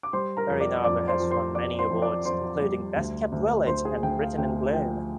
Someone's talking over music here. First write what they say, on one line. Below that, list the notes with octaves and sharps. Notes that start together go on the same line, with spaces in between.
Berrynarbor has won many awards including Best Kept Village and Britain in Bloom.
D6
G3 C5 C6
A#4 A#5
F2
D5 D6
F2 D5 D6
C5 C6
F2
C5 C6
F2 D5 D6
C5 C6
F2
D5 D6
F2 C5 C6
G3
D2
D2
D2 C5 C6
G#4 G#5
D2 G5
F5
D2 G5
F3 G5